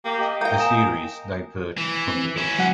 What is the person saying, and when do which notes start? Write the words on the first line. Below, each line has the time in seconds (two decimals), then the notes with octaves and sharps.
The series diverged from the books.
0.05 A#3 G4
0.20 D#5 G5
0.41 A#3 A#4 G5 G6
0.58 G#5 D#6 E7
1.78 E3
2.08 C4
2.37 C#4 E4
2.59 F#3 F#5